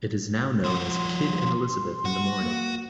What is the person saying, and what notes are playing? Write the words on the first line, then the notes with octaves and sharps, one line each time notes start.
It is now known as "Kidd and Elizabeth in the Morning".
F3 F#4 C6
F#4
A#3